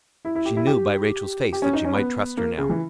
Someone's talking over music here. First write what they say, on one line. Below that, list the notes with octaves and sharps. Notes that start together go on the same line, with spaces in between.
She knew by Rachael’s face that she might trust her now.
E4
E4
G4
E4
G4
G4
C#4
D#4
C#4
B3
A#3
C#3
E3